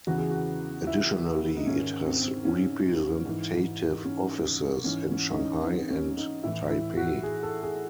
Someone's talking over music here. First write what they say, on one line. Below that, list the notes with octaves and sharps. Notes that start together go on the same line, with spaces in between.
Additionally, it has representative offices in Shanghai and Taipei.
E2 C#3 E3 F#4
G#4
F#4
E4
D#4
G#2 D#3 C#4
C4
C4
C#4
G#2 E3
C#4
G#2 E3 C#4
C#4
D#4
C#4
C4
C#4
D#4
A2 E3 E4
E4
F#4
G#4
A4
G#4